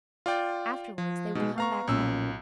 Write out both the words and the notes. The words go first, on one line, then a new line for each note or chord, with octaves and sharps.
Afterwards they would come back home.
F4 D5 G5
F3
B2 G#3 B3 D#4
B3 F5 A#5 C#6
B1 A#2 C#4 E6